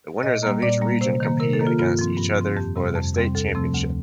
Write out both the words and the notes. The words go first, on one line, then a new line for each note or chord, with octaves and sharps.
The winners of each region compete against each other for the state championship.
A#2 D#5
G3 A#3
A#2 D5
G3 A#3
C3 C5
D#3 A#3
C3 A#4
A4
D#3 A#3
F4
G2 F4
F3 C4
G2
F3 C4
F2 G4
C3 G3 C4
F2
C3 G3 C4
D2 A4
C3 F3 A3 C4
D2